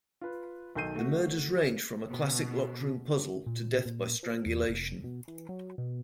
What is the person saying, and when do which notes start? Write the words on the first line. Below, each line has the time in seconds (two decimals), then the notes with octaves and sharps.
The murders ranged from a classic locked-room puzzle to death by strangulation.
0.21 F4 B4
0.75 B1 D#3 A4 G6 C7 D#7
0.96 A3 F#4
2.09 B2
3.46 A#2
3.85 A#2
4.23 F3
4.46 E2
4.68 F1
5.04 B2
5.28 E3
5.49 F#3
5.78 B2